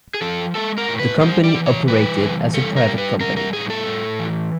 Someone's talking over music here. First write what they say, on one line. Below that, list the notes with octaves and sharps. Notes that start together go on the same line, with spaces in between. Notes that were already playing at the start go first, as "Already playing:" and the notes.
The company operated as a private company.
G#4
F3 A4
G#3 A4
A#4
A2
B4
G3 C5
D5
E3
C#5
G3 B4
E3
G3 A4
A#4
G3
B4
G3 A#4
A#4
A2 G#4
A4
A2
E3